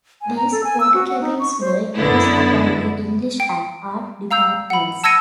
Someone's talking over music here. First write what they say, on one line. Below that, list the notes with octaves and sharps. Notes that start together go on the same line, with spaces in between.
These Portakabins were used by the English and Art Departments.
G#5
A#5
A4
G#5
E6
F#4
F#5
D#4
C#6
C5
F#2 D3 B3 E4
G5
F5 A#5 E6 G6
F#5 B5
A5 E6 G#6 A#6 C#7 D#7